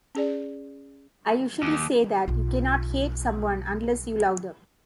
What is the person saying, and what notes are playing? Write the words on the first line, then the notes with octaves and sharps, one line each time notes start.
I usually say that you cannot hate someone unless you love them.
C#4 G#4 D5
D#2
B1 F4